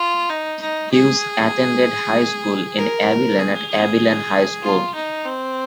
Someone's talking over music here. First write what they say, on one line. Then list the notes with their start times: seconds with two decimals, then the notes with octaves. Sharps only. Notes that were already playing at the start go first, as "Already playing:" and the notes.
Hughes attended high school in Abilene at Abilene High School.
Already playing: F4
0.30 D#4
0.61 D#4
0.92 G#4
2.78 A#4
3.39 G#4
3.71 G#4
4.63 F4
4.94 D#4
5.25 C4